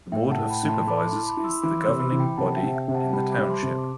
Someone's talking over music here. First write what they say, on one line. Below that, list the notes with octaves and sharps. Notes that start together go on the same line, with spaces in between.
The Board of Supervisors is the governing body in the Township.
A2 E5 G5
F#5 A5
A2
G5 B5
A2
A5 C6
A3 B5 D6
A5 C6
E4
B5 D6
E4
C6 E6
E3 B5 D6
C6 E6
C3
B5 D6
E3
G5 B5
C3 F#5 A5
E5 G5
C3
E5 G5
C3
F#5 A5
G3 G5 B5
B5 D6
G3
A5 C6
C3
D6